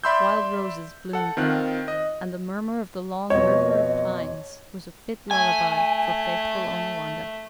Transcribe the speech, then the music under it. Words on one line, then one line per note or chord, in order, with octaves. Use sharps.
Wild roses bloomed there, and the murmur of the Long River of Pines was a fit lullaby for faithful Onawandah.
D5 E5 B5 C6 E6 G6
A4 F#5
D#3 C4 F4 F#6
D#5
F2 B2 C#5 D#5
A3 G#5